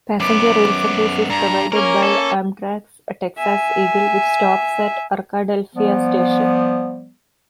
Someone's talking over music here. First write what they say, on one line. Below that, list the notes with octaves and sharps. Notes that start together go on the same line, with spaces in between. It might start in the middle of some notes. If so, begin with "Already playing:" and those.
Passenger rail service is provided by Amtrak's Texas Eagle, which stops at Arkadelphia station.
F#2 B3 D6
G2 A#5
A#3 C#4 A#4
A4
E5 G#5
F3 G3 B3